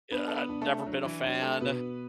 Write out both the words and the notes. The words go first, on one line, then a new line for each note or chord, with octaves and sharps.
Ugh, I've never been a fan,
B3 D4 B4
A4
B3 B4
D4
A3 A4
F#3 D4
E3
F#3 D4
A3 A4
B2 B3 B4